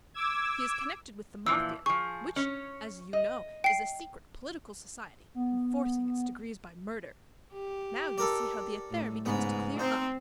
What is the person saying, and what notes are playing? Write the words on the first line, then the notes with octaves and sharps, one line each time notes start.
He is connected with the Mafia, which, as you know, is a secret political society, enforcing its decrees by murder. Now, you see how the affair begins to clear up.
D6 E6 G#6
A#2 E3 F3 E6
F3 G#4 C#6
C#4 C#5
D#5
G5 C7
B3
G4
A4 A#4 D5
A2
G#2 C#3 B3
C4 D#4 C5